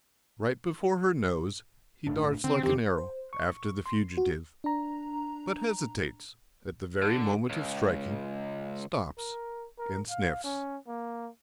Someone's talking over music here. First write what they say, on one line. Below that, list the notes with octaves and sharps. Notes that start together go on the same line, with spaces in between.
Right before her nose he darts like an arrow after the fugitive, but hesitates at the very moment of striking, stops, and sniffs.
G1 A2 D4
D3 C4
F2 D#3 C4 G4
C5
C#6
C6
F#4
D4 A#5
D3
C#2
A#4
A#4
F5
C#4
A#3